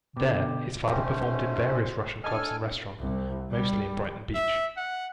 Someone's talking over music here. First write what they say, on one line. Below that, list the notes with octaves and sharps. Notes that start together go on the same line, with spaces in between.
There, his father performed in various Russian clubs and restaurants, mostly in Brighton Beach.
B2 D3 G4
G#2 A3 C4 C#4 G4 C5
D4 A4 D#5 G#5 F6
C2
G3
E5
F#5